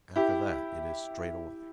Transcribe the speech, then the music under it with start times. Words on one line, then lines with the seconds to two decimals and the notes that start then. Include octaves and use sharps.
"After that it is straight away."
0.16 E4 G4